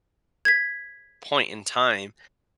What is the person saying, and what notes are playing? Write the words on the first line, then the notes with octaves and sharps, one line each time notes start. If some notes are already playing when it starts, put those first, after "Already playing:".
point in time
G#6 B6